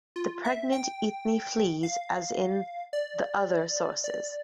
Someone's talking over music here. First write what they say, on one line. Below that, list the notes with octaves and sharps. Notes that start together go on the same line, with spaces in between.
The pregnant Eithne flees as in the other sources.
F4
E5
G5
F5
D5
D5